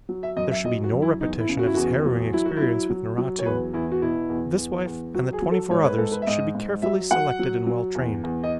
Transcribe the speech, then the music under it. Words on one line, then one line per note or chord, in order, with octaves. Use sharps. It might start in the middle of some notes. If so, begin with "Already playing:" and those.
There should be no repetition of his harrowing experience with Naratu. This wife and the twenty-four others should be carefully selected and well trained.
F#3
E5
F#2 D#5
E5
F#3 D#5
F#4
F#2
E4
E2 D#4
E4
C#3
F#4
E4
E2 F#4
F#3
F#3 E4
F#4
E4
F#3
F#3
F#3
C#5
E2 B4
E2 E4
F#4
B2 E4
E2
E2
E2
F#3 F#4
G#4
F#3
A4
G#2 C#5
B4
G#2 A4
B4
E5
G#2 D#5
G#2
F#3 E5
F#3 F#5
F#3
F#3
E2
E2
D#5